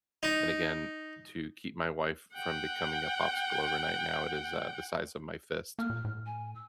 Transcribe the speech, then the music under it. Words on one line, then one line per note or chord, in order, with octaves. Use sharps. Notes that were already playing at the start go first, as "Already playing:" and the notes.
And again, to keep my wife from becoming a popsicle overnight, now, it is, uh, the size of my fist,
D#4
F#5 G5
A#3 F6
A#2
A2
G#5
E6